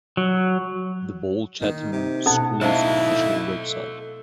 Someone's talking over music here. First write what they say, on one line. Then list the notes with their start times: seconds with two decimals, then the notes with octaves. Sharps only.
The Ball Chatham Schools Official Website.
0.17 F#3
1.61 D#3 A#3 D#4
1.92 C3
2.26 B2 D#4 F#4 A4 F#5
2.61 A3 D#4 E4 A4 C5 D#5 F5